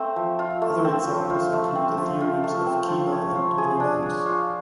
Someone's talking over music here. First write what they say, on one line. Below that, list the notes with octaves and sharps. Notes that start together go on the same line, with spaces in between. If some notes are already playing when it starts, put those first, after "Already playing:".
Other examples include the theorems of Ceva and Menelaus.
Already playing: A3 C4
F3
F4
A3
C4
F3
F4
A3
C4
F3
F4
A3
C4
F3
C#5
F4
G#4
D4
C#5
F4